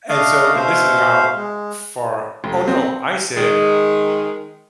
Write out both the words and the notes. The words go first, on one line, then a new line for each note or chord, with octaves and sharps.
And so and this is how far Oh, no. I said,
A3 D4 D#5 F5
B2 C5 E5 F5
G#3
F1
C4
D#3 G#3